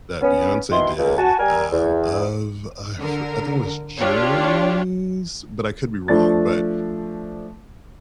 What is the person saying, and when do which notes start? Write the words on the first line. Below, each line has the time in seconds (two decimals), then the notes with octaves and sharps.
that Beyonce did, um, of I for I think it was Journey's, but I could be wrong, but
0.21 B3 C#4
0.71 B2 D#3 E3 E4 C6
0.98 C#2
1.17 F#4 G#5 A5
1.39 G3 A#4 G#5
1.72 E2
2.99 D3 A#4
3.98 D4 F4 G4 C#5
6.08 F3 A3 D4 A6